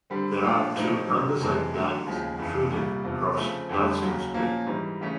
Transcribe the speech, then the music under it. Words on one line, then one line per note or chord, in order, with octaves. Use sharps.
There are two andesite dykes intruded across Gladstone Street.
D3 G3 C4
A#2 F3 A3 D4 F4
A2 F3 A3 C4 D#4
G#2 D#3 F#3
F2 C3 E3 G#3
D3 F#3 A3
D#2 C#3 F3 G#3
F2 C#3 E3
C2 A#2 G3
E2 C3 F3
C#3 F3 A3 C4
F2 D3 G3
D#2 C#3 F#3
A#2 F3 A#3 C#4
G#2 E3 G3
C#3 E3 A3 C#4